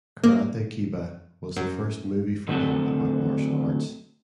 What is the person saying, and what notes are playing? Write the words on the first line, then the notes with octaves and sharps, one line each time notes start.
"Karate Kiba" was the first movie for him about martial arts.
A#3
F#2
D3 F#3 A3 C4 F#4 A4